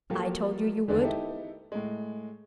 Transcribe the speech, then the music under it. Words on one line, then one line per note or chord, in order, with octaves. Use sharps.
"I told you you would."
F3 F#3 A#3 F4 G4 A4
E2 D3 D#3 G#3 B4 D5
D#4 E4 G4 A4
A2 G#3